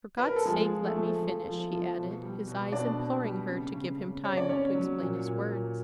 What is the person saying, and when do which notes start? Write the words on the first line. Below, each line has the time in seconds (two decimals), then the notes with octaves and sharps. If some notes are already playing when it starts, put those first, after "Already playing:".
"For God's sake, let me finish!" he added, his eyes imploring her to give him time to explain his words.
0.17 B4
0.27 A#4
0.36 A4
0.45 F3 G#3 G#4
0.72 F3
0.84 A3 A4
0.96 F3
1.22 F3
1.47 F3
1.72 F3
1.98 B2
2.23 G3
2.48 B2
2.72 B2 D4 D5
2.99 B2
3.23 G3
3.49 C#3
3.73 C#3
3.99 C#3
4.24 C#3 C#5
4.37 D5
4.49 C#3 C#4 C#5
4.75 F#3
5.01 A#2
5.26 A#2
5.51 A#2